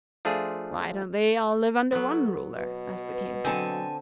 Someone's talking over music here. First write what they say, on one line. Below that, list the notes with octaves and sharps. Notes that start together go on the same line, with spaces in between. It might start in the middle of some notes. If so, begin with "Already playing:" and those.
"Why don't they all live under one ruler?" asked the King.
F3 A3 D4 F4 G#4
F#3 B3 A4
B2 B4
D3 F#3 C4 G#5 A5